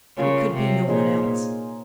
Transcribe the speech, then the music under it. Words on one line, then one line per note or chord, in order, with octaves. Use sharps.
It could be no one else.
C#3 C#4 F4 A#4
C3
A#2 D#4 G#4 C5 D#5